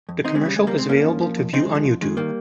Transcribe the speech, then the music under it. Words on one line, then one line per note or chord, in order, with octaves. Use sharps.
The commercial is available to view on YouTube.
F2
D#2 C4 D#4
G#3 C4
C#3 G3
C#3 G#3
G3 A#3
D#2
G#3 C4
G2 A#3 C#4
F3
F3
F2
C#3 C4 D#4
G#3
F3
G#3
F2
D#3 G#3
D#3 G3 A#3